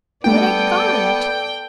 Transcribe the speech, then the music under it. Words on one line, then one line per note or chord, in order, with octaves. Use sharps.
But I can't.
G3 A3 B3 D4 A4 D5 G5